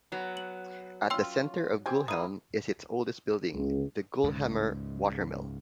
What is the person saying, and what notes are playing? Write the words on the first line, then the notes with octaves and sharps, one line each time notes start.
At the centre of Geulhem is its oldest building - the Geulhemmer watermill.
F#3 B3
F#7
C#4 F4 G5 C6 E6
C4 G4 G#5
A#3 E4 D#6 D#7
C#2
C#2 G#2 C#3